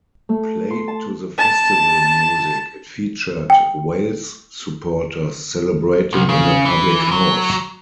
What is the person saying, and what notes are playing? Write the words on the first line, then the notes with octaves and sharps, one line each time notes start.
Played to the "Festival" music, it featured Wales supporters celebrating in a public house.
A3
C6
A5
A5
G5
C2
C#3
E3
F#3